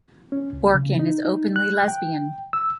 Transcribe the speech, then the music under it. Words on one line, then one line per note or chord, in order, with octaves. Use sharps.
Orkin is openly lesbian.
C#4
C#2
C#3
D#4
D#4
F#6
G5
E6